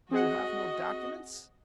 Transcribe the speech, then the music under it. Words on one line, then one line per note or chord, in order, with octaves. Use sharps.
"You have no documents?"
C4 F#4 G#4 D#5 F#5